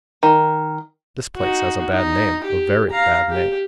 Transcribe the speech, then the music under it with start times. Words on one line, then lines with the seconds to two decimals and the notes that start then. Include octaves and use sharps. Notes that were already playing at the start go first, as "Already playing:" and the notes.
This place has a bad name,--a very bad name.
0.23 D#3
1.36 D#4 F#4
1.92 D#4
2.44 G4
2.90 F5 A#5
3.30 G4